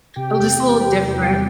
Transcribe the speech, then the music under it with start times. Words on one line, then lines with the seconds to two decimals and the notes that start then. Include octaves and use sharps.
uh, just a little different.
0.16 C3 G4 G5
0.40 E2
0.64 C3
0.86 G3
1.10 E2 G4 G5